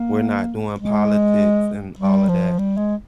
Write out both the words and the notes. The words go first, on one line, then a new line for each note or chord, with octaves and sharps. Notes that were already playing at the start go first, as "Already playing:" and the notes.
we're not doing politics and all of that."
Already playing: A#3
G#3
G3
F3
G3
G#3